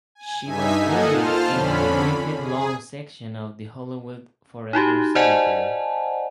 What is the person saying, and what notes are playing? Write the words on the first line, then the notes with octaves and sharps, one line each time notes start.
She was buried in the Griffith Lawn section of the Hollywood Forever Cemetery.
G#5
G2 D#4 E5 G#5 G#6 B6
A#3 D#4 A4 D#5 F#5 G#5
F4 C5 A5 F6
F2 D3 C#4 B5
G#4
D#4 E4 F#4 G4
C5 D5 D#5 F#5 G#5 A5